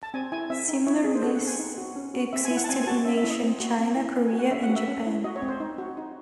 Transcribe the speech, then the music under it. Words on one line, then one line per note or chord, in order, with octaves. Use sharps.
Similar lists existed in ancient China, Korea and Japan.
A5
C4 G#5
E4 G#5
C4 E5
D#4
E4 C#5
C4 G#4
C5
F#4 A4
F#5
C4
G#5
D#4
F#4
C#4
F#4
C4 E5
G#5
E4
F#5
A5
C4 G#5
G#5
F#4 A5
C#4 E5
E5
E4
D#5
C4
F#4
C4
E4
C4
G#5
F#4
F#5
C#4 E5
F#5
F#4
E5
C#4
E4
F#4 D#5
C#5
C4
C5
D#4
F#4
D#4